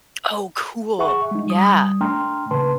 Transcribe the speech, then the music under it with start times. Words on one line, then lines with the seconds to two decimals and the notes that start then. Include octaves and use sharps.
Oh, cool. Yeah.
0.99 G#4 E5 F#5 C#6
1.31 G#3 D#4
1.46 G3 D#6
2.01 A3 D4 G5 A#5 C6 F6
2.51 A#2 C#3 B4 A5 C6